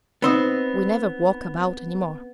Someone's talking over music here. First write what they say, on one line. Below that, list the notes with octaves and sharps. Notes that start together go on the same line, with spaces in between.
We never walk about any more.
B3 C4 D#4